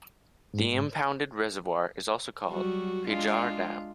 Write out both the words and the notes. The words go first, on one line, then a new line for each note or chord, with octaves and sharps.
The impounded reservoir is also called Pejar Dam.
G#2
F#3 G3 F#4
G#3 D4 F4